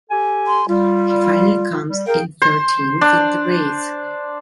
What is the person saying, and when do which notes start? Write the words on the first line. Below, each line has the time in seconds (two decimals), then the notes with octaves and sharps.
He finally comes in thirteenth in the race.
0.10 G4 A4 G#5
0.47 C6
0.68 G3 F4
1.89 G3
2.07 G#4 A#4 F5 G5
2.42 C5
3.01 D4